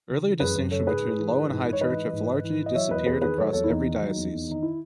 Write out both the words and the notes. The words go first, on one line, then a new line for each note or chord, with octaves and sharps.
Earlier distinctions between Low and High Church have largely disappeared across every diocese.
C#3
E3
F#2 G#4 B4
F#2
C#3 A4 C#5
G#2 G#4 B4
G#2
E3
E3
G#2
G#2
C#5
E3 B4 D#5
E3
G#2
G#2
E3
E3
D#5
F#3 C#5 E5
E2 B4 D#5
E2 G#4 B4
D#3 G#4 B4
F#3 A4 C#5
E2 A4 C#5
E4
E2 D#4
D#3
F#3
E2
E2
D#3 D#4
E4